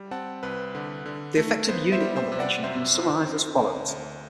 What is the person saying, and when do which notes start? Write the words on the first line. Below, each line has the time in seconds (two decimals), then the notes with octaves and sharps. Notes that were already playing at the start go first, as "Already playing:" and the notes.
The effect of unit propagation can be summarized as follows.
Already playing: G3
0.11 C4 F#5 A5
0.43 C2 B4
0.75 D3
1.06 D3
1.37 A3
1.68 B3 C5
1.92 C5 E5
2.00 G3
2.16 C5 E5
2.32 C3
2.40 D5 F#5
2.63 F#2 C5 E5
2.95 F#2
3.26 C4
3.58 D2
3.88 D2